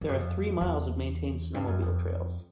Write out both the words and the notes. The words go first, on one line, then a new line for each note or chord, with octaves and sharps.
There are three miles of maintained snowmobile trails.
F2
F#2
F2
E2
G2
F#2
F2